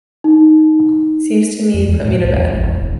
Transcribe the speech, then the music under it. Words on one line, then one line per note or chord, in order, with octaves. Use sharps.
Seems to me you put me to bed.
D#4
F2
E2
A2
B1
E2
A1
E2
E1